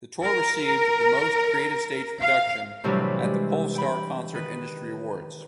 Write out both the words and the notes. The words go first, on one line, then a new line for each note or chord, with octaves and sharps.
The tour received the "Most Creative Stage Production" at the Pollstar Concert Industry Awards.
A#4
F5
A2 C3 E3 F#3 G3 D4
G#3
G5 B5
D#3 B4